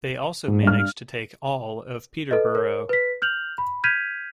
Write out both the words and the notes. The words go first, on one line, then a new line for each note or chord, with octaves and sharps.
They also managed to take all of Peterborough.
G#2
G2 F6
A4 B4 D#5
A#4 C#5
B4 B6
F6 G6 F7 F#7
B5
F6 G6 G#6 B6 D#7 F7